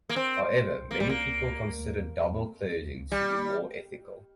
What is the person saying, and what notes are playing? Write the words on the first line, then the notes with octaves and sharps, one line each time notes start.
However many people consider double closing to be more ethical.
A#3
C4
A#3
G3
A#3
G3